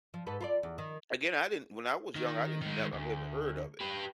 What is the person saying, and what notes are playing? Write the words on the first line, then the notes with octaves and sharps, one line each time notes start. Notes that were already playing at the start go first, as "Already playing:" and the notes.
Again, I didn't When I was young, I didn't even ne I've never heard of it.
F3
G#2 A4 B4
F4 B4 D5
E2
D#3
D#3
D#3 G#3
D2
G4 B4